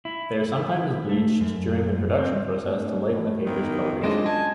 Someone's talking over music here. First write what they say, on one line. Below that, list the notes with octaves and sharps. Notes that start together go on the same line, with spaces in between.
They are sometimes bleached during the production process to lighten the paper's coloration.
E4
A3
F#2
C4
D1
A2
B1 D#3
F#2 G#3 C4 D4 F4 D#5
G#5 A5